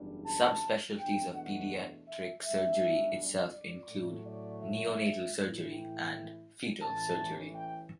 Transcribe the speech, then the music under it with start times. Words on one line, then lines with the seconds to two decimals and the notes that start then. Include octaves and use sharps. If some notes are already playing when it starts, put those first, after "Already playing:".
Subspecialties of pediatric surgery itself include: neonatal surgery and fetal surgery.
Already playing: F#1 E2 C#3 G3 D4
0.27 A5
0.99 E2 B2 A3 D4 G5
1.35 F#5
2.08 E5
2.44 B1 B2 G3 D4 E5
3.54 D5
3.90 A2 F#3 A3
4.27 D5
4.64 E5
5.36 A2 E3 A3 E4
5.73 G5
6.82 A1 A2 E3 A5
7.55 G5